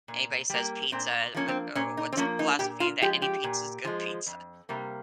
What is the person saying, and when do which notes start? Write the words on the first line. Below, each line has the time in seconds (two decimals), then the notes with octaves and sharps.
anybody says "pizza," but, uh, w what's the philosophy that any pizza is good pizza?
0.08 A#2
0.50 G3 A#3
0.92 A#2 C4
1.34 F3 A#3 C#4
1.48 C4
1.76 A#2 C#4
1.97 D#4
2.13 C4
2.17 F3 A#3 C#4
2.39 D#4
2.59 A#2 G4
2.80 F4
3.01 F3 G#3 G4
3.22 G4
3.44 A#2
3.85 F3 G#3
4.26 F2
4.69 C3 G3 A#3